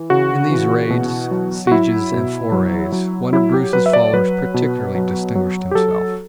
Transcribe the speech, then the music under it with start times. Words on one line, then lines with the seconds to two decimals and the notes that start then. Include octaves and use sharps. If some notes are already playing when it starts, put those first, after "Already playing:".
In these raids, sieges and forays one of Bruce's followers particularly distinguished himself.
Already playing: E3
0.10 C#3 F#4
0.50 E3
0.90 B2
1.31 F#3
1.67 F#4
1.71 F#3 E4
2.12 B2
2.52 F#3
2.92 F#3
3.33 F#3 E4
3.54 G4
3.73 F#3 B4
3.86 E5
3.93 D5
4.13 F#3 B4
4.54 B2
4.95 F#3
5.35 F#3
5.71 G4
5.75 F#3 A4